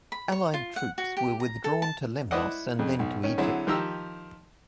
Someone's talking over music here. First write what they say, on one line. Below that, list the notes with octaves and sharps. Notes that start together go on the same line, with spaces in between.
Allied troops were withdrawn to Lemnos and then to Egypt.
B5
C#5
F4
F#5
F#4
G4
A#5
A4
A5
E4 B4 C5 D5 D#5 F#5
F2 C#3
B1
D#3 C#4
D3 F#3 C4 E4 G#4
D#3 F3 G4 A#5 E6